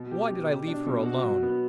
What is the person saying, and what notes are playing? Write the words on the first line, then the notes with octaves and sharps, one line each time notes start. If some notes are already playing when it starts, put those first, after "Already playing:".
Why did I leave her alone?
Already playing: B2
G4
B2
G4
D4
B2
F#4
F#3
B3